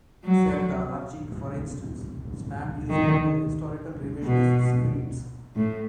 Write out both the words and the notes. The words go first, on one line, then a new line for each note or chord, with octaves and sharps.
Serdar Argic, for instance, spammed Usenet with historical revisionist screeds.
F#3
D#3
B2
A2